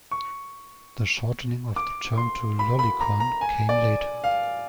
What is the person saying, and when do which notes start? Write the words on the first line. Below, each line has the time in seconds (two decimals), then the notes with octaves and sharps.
The shortening of the term to "lolicon" came later.
0.11 C#6
1.76 D6
2.17 C6
2.59 B5
2.79 B5
3.01 A#5
3.20 A#5
3.41 G#5
3.69 D5
4.24 F5